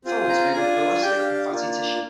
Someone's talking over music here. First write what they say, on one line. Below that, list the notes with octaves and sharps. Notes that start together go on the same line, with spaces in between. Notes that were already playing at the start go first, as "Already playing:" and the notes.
The folds are made up of elastic and fatty tissue.
C4 F4 G#4
A#5
D4 F4 G#4 G#5
D4 G4 G5
F5
F5
A#3 D4 F4